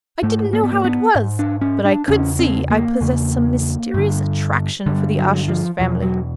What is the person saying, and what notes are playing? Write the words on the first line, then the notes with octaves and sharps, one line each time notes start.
I didn't know how it was, but I could see I possessed some mysterious attraction for the Ashurst family.
G#2 A3
A#3
B3
A#3
B3
G#2
D4
C#4
D4
E2 C#3 C#4
C4
A#3
E2 C#3
G2 D3
G2 D3 G3
F#3
F3
E2 B2 F3
F#3